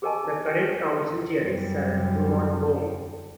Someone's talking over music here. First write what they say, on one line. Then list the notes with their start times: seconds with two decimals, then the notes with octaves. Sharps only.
The current Council Chair is Sir Drummond Bone.
0.02 G4 G#4 A#4 D#5 G#5 A5
1.40 F#2 G3